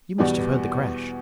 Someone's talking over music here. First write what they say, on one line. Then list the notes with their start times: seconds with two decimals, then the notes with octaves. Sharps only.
You must have heard the crash?'
0.18 E2 B2 G3 D5